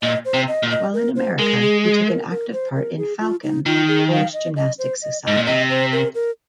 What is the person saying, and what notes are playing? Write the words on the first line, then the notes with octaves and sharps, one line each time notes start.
While in America he took an active part in "Falcon" Polish Gymnastic Society.
A#2 D#5
C5
C3
D#5
A#2
D#5
A#4
C5
G#3 A#4
G#4
G#4
A#4
A#4
C5
A#4
G#4
F4
D#4
D#3 F4
G#4
F5
D#5
D#5
C5
D#5
G#2 D#5
A#2
C3 D#5
C5
A#4
A#4